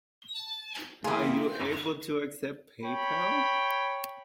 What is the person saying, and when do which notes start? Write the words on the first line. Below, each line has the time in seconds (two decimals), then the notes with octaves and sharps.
Are you able to accept Paypal?
1.04 E3 A#3 E4 F4 G4 G#4
2.84 C#5 G5 B5